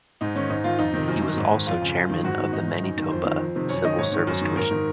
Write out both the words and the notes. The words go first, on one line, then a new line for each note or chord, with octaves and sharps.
He was also chairman of the Manitoba Civil Service Commission.
G#2 D#4
D#3 C#4
G#2 D#4
D#3 F4
F2 D#4
C3 D#3
F#2
D#3
G#2
D#3
F2 F4
C#3
F#2
D#3
G#2 F#4
D#3
G#2 D#4
D#3
F#2
D#3
F2 C5
D#3
F2
C3 D#3
F#2 C#5
D#3 D#5
G#2 C#5
D#3
F#2
D#3
G#2 A#4
D#3